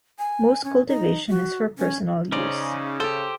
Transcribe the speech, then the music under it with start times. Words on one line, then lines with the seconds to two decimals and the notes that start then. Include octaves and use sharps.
Most cultivation is for personal use.
0.19 G#5
0.64 C#4
0.88 D#4
1.29 F#4
1.78 C#4
2.32 C#3 C#4 D#4 C5 D5
3.00 G4 A4 C5